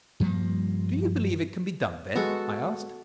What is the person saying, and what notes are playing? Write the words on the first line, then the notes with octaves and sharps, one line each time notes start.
"Do you believe it can be done, then?" I asked.
G2 F3 G3 A#3
G#3 B3 F#4 A4 C#6